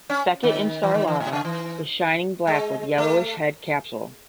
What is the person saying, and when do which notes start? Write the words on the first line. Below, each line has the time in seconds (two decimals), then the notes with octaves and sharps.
Second instar larva is shining black with yellowish head capsule.
0.10 C#4
0.43 D#3
0.83 E3
0.94 D#3
1.07 E3
1.20 A2
1.32 C#3
1.45 E3
2.47 G#3
2.98 A3